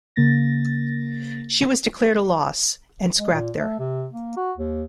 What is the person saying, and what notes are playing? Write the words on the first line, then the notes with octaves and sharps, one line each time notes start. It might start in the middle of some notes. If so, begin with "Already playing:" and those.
She was declared a loss and scrapped there.
C#3 A#3 A6 A#6
G#3
A#2
A3
C3
A#3
F#4
D#2